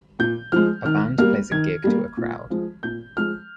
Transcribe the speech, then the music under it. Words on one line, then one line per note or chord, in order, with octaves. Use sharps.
A band plays a gig to a crowd.
A#2 G6
F3 G#3 F6
D#3 F6
G3 A#3 F6
D#3 G#6
G3 A#3
A#2
F3 G#3
A#2 G6
F3 G#3 F6